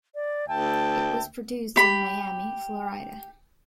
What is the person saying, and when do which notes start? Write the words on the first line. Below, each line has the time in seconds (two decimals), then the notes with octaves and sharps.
It was produced in Miami, Florida.
0.15 D5
0.48 D2 E5 G5 A5
1.76 G4 B5